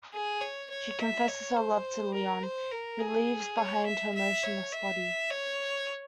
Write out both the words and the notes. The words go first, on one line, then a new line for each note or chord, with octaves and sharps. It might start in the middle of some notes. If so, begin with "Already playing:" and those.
She confesses her love to Leon, who leaves behind her motionless body.
G#4
C#5
C#5
E5
C#5
C5
A#4
C5
A#4
G#4
C#5
E5
E5
C#5
E5
C#5